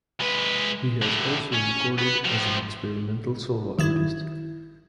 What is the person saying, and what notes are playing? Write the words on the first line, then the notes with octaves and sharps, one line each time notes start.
He has also recorded as an experimental solo artist.
G#3 B4
A2 D3
C#4
B3 B4
A2 F3
D#3 E4 G#6